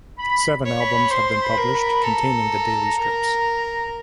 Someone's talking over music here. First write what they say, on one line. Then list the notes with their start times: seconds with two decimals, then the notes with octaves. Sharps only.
Seven albums have been published containing the daily strips.
0.19 B5
0.65 C#5
0.81 B5
1.11 C5 C6
1.42 B5
1.58 A#4
1.73 B5
2.04 A4 A#5
2.97 A#4